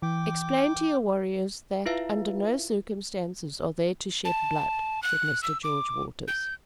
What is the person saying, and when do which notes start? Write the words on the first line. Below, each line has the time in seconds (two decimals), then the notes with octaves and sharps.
"Explain to your warriors that, under no circumstances, are they to shed blood," said Mr. George Waters.
0.02 E3 G5 D6
1.86 E4 F4 B4 E5 F5
4.25 A5
5.03 F#6
5.43 E6
5.63 D6
6.28 G6